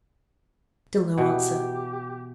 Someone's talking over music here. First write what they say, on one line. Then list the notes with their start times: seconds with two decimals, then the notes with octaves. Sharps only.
Still no answer.
1.18 B2 E3 G4